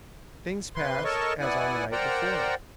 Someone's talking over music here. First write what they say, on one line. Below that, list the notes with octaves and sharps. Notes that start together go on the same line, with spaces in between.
Things passed as on the night before.
C3 B4 C6
A4 A#4 C#5 D#5 A5 C#6
B3 E4 D5 F#5 G#5
A#4 C5 D5 F#5 G5 A#5